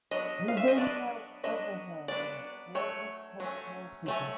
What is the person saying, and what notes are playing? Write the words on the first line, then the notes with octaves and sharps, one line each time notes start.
He then knelt over her and slowly choked her to death.
F#3 B3 D4 D#5
F5
E5
D#5
F#3 B3 D4 D5
F#3 B3 D4 D#5
F#3 B3 D4 D5
F#3 A3 C#5
F#3 A3 C#4
F#3 A3 C#4